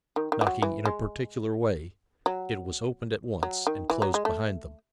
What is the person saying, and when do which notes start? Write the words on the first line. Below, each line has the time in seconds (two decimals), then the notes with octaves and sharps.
Knocking in a particular way it was opened at once and closed behind them.
0.16 D#3
0.32 D#3
0.41 E3
0.47 F#3
0.62 E3
0.85 G#3
2.26 F#3
3.43 F#3
3.67 D#3
3.90 E3
4.02 F#3
4.14 G#3
4.25 A3